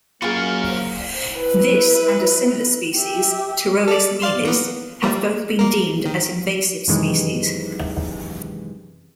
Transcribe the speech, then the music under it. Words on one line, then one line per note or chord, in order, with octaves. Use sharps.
This and a similar species, "Pterois miles", have both been deemed as invasive species.
F#2 A#3 F4 F#4 G#4 A#4
E4 B4
G4 E5
A4 D5
D5 F5 C6
A#3 B3
G3 A#3
A#3 A#4
D#3
F#2 C3 D#3 E3 G#3